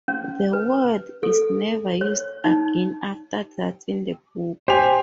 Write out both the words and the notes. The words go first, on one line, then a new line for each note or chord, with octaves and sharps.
The word is never used again after that in the book.
C#4
B4
A4
C#5
D#4
G4 C5 G#5 F7